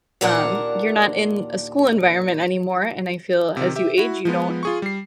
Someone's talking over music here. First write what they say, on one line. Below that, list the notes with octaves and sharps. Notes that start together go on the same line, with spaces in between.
um, you're not in a school environment anymore, and I feel as you age you don't
D#2 A#2 D4 A#4 F#5
C3 D#3
G4 E5
E4 F#4
F3 G#3 B3
F4 G#4 C#6
G3 C7